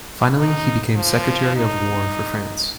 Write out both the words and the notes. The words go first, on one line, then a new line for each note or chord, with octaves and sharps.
Finally he became Secretary of War for France.
D#4
F3
D#4